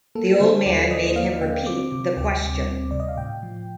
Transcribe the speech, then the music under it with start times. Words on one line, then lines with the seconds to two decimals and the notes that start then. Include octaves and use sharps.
The old man made him repeat the question.
0.15 A#3 A4
0.40 D3 C5
0.66 D#2 D5
0.91 F3 D#5
1.16 A#3 F5
1.41 D3 G5
1.66 C4 D6
1.92 C3
2.17 D2
2.42 G3
2.67 C4
2.91 C3 D5
3.00 D#5
3.08 F5
3.17 A2 G5
3.43 F3